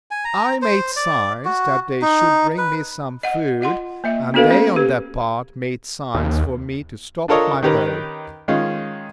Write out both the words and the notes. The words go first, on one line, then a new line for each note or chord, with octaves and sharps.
I made signs that they should bring me some food, and they on their part made signs for me to stop my boat.
G#5
A#5
C5
D5
F#4
D#4
B4
D#5 F#5
F4 D#5 F#5 C6
A#3 D#5 E5
B3 D4 F#4 A4 B4 F5
A#3 C#4 C5
G4 B4
D#2
D4 F4 A4 A#4 C#5 D#5
D#3 C#4 G4 A#4 B4
D#3 G#3 C#4 F4